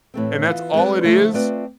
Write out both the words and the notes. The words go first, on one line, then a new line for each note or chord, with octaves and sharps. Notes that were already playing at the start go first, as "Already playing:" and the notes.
and that's all it is.
A2 E3 A3 C4
E3 B3 F4
G#3 C4 E4 B4 D5
D3 F3 A3 E4 A4
A3 C4 F4 B4 D5